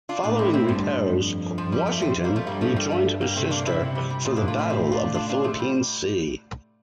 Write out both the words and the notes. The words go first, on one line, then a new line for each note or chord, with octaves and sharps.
Following repairs, "Washington" rejoined her sister for the Battle of the Philippine Sea.
D4 F4
A2 D4 F4
C4 E4
C4 E4
G2 F3
F2
F3
G3
F3 A3
A3 C4
G3 A#3
F3 A3
G2 G3 A#3
F3 A3
G3
G2 F3 A3
G3 A#3
C3 A3 C4
A#3 D4
C4 E4
C3
G3
G3
A2 F3 A3
A#3 D4
D4 F4
C4 E4
C4 E4
D4 F4
D4 F4
D4 F4
F3 A3
G3